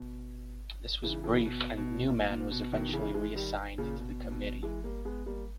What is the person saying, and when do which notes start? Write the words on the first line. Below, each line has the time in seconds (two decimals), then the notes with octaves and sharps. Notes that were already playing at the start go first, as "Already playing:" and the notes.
This was brief, and Neumann was eventually reassigned to the committee.
Already playing: B2
1.03 C#3 E3
1.24 C#3 E3
1.46 B2
1.77 B2
2.09 A#2
2.30 A#2
2.51 B2
2.72 B2 D#3
2.89 D#3
2.93 C#3 E3
3.14 E3 G#3
3.35 D#3 G3
3.78 A#2 C#3
3.99 B2
4.24 A#2
4.31 B2
4.63 E3 G#3
4.84 G3 A#3
5.05 G#3 B3
5.26 G3 A#3